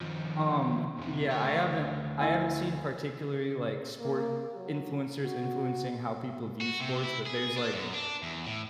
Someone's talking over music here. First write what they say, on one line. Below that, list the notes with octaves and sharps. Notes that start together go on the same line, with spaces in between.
Um, yeah, I haven't I haven't seen particularly, like, sport influencers influencing how people view sports, but there's, like
D#2 F3
F2 C3
D2 C#5
E4 G#5
A#3
F#3
F#4
F#4
C3
E4
G#4
D4
F#2
D4
E2
A2